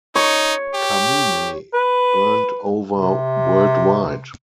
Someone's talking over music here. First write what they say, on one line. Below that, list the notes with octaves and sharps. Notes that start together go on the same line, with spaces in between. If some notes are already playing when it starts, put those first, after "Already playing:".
"Kaminey" earned over worldwide.
D#4 C#5
G4
B4
C3